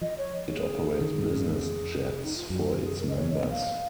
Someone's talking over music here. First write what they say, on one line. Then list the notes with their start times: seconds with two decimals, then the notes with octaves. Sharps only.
It operates business jets for its members.
0.01 F3 D#5
0.18 C#5
0.52 G#4
1.01 D#3
1.18 G#2
1.34 G#2
1.51 F2 G#4
2.23 D#4
2.36 F4
2.50 F#2 F#4
2.67 F4
2.83 G#4
3.00 A#4
3.09 D#5
3.16 C#5
3.33 D#5
3.50 F5